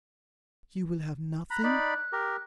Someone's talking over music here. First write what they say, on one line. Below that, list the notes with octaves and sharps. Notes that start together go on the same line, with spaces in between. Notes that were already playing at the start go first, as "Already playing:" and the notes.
"You will have nothing!"
A#5 B5 F#6
D#4 D5 B5
G4 A#4